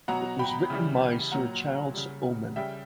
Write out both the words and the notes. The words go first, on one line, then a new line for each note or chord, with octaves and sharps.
It was written by Sir Charles Oman.
B2 F#3 F#5 A#5
G5 B5
C#3 E3 G3
A#2 F#3 F#5 A#5
C#3 G3
C#3 G3 E5 G5